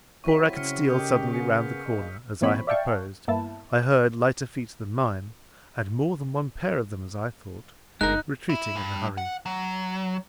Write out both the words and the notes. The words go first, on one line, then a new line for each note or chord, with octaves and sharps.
Before I could steal suddenly round the corner, as I had proposed, I heard lighter feet than mine--and more than one pair of them as I thought--retreating in a hurry.
F#3 C4 E4 C#6 B6
C#3 F6 C#7
A1 D#3 G4 D#6 F6 G6
A#3 B3 G#4 D#6 B6 C#7
G2 G#3 A#3
A#2 E3 A#3 C4 C#5 B5
D5 E5 F5 G5 A5 C#6
G2 A#3 B3 E4 A5
G1 G#3 D#4 A#4 F#6
E4
G2
F#5
F#3